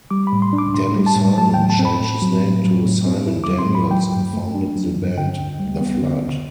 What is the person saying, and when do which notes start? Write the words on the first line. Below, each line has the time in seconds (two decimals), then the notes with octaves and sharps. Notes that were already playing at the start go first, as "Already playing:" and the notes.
Danny Simon changed his name to Simon Daniels and founded the band The Flood.
0.11 G3 D6
0.27 B5
0.33 A2
0.42 C6
0.53 D4
0.58 D6
0.74 A2 C6
0.96 G3
1.06 A5
1.16 A2
1.38 F#3 A5
1.54 G5
1.59 A2
1.70 A5
1.79 C4
1.85 B5
2.00 A2
2.22 F#3
2.43 A2
2.64 F#3
2.86 A2
3.06 C4
3.27 E4
3.44 F#3 D6
3.59 C6
3.69 A2
3.75 B5
3.90 F#3 G5
4.12 G2
4.33 A3
4.54 D4
4.75 F#3
4.96 G2
5.17 D3 G5
5.38 D2
5.59 G3
5.81 B3
6.02 D3
6.22 D2